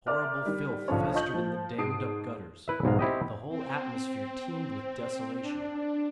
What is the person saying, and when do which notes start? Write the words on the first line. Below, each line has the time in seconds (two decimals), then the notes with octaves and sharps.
Horrible filth festered in the dammed-up gutters. The whole atmosphere teemed with desolation.
0.07 A#4 D5 E5 D6 F6 F#6
0.45 D#3 G3
0.88 B1 D3 F3 C#4 D4 C#5
1.14 F4 D#5 C#6 G6 F#7
1.34 F3
1.78 G#2 A5 D#6 C7 D7
2.68 E4 B4 E5
2.83 B1 G#2 G#3 F5
2.99 C4 E4 G4 D#5
3.49 C4
5.41 D4